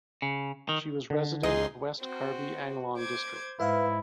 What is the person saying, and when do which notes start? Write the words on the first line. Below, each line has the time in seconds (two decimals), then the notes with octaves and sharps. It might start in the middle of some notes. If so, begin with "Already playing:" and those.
She was resident of West Karbi Anglong district.
0.22 C#3
0.69 D#3
1.10 D3
1.43 C#2 D#4 G#4 D#5 C6
2.00 C4 F#4
2.97 C5 D6 G#6
3.60 G#2 E4 B4 E5 F5